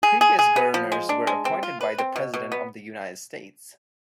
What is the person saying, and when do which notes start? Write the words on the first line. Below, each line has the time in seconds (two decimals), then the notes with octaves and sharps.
Previous governors were appointed by the President of the United States.
0.03 G#4
0.21 G#4
0.39 G#4
0.56 B3
0.74 F3
0.92 G#3
1.09 D4
1.27 G#3
1.45 C4
1.63 F4
1.81 B4
1.98 C4
2.16 B2
2.34 B2
2.52 B3